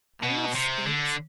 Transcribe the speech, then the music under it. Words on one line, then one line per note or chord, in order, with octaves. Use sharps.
I love scrapes.
B2
C3
D3